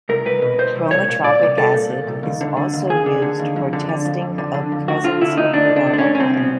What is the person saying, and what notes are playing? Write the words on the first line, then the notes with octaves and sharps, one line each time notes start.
Chromotropic acid is also used for testing of presence of formaldehyde.
C2 A#4
C2 B4
B2
B2 C5
C2
C2 C#5
A#2
A#2 D5
C2
C2 A4
A#2
A#2
C2
D#2
D3
D3
D#2
D#2 G#4
D3
D3
D#2
F2
D3
D3
F2
F2
D3
D3
F2
D2 F#4
D3 F4
D3 E4
D2 D#4
D2 D4
D3
D4
D3
D4
C#4
D2
C#4
C2 C4
B2